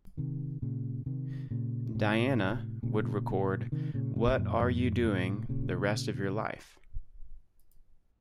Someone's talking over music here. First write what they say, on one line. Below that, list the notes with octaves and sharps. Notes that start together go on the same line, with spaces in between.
Diana would record What Are You Doing the Rest of Your Life?
C3 D#3
A#2 C#3
C3 D#3
A#2 C#3
A2 C3
A#2 C#3
C3 D#3
A#2 C#3
A2 C3
F#2 A#2
F2 A2
A2 C3
A#2 C#3